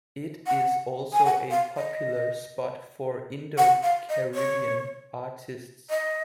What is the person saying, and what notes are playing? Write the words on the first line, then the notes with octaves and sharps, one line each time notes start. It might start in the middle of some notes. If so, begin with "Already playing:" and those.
It is also a popular spot for Indo-Caribbean artists.
F#5
G#5
F#5
F5
D#5
F#5
F5
D#5
C#5
D#5